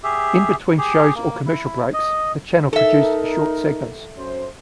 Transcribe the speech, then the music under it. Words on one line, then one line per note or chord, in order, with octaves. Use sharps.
In between shows or commercial breaks, the channel produced short segments.
G4 G#4 E5
G4 G#4
A#3
E4
D#5
D#4 A4 A#4 E5
F#2 C5